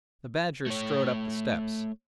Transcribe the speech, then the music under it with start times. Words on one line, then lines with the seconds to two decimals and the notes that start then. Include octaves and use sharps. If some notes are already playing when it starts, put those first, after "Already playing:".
The Badger strode up the steps.
0.66 A3 C#5